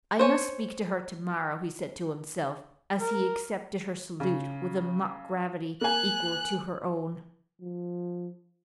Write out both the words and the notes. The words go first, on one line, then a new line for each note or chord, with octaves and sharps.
"I must speak to her to-morrow," he said to himself, as he accepted her salute with a mock gravity equal to her own.
C5 C#5 G#5
A#4
C#3
A#3 G#5 F#6
F3